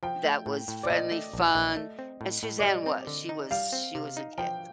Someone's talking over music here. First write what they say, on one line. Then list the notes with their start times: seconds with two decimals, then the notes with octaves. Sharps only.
that was friendly, fun, and Suzanne was. She was she was a kick.
0.03 F3 G5
0.24 A3
0.46 A2
0.68 A2
0.83 D5
0.90 A#2 D#5
1.12 A3
1.33 A#1
1.55 A#1
1.77 A3
1.99 C4
2.21 A2
2.43 A2
2.59 D5
2.64 G3 D#5
2.86 C4
3.07 D3
3.29 D#4
3.51 G3 F5
3.73 C4
3.95 C3
4.17 D#4
4.38 F3 G5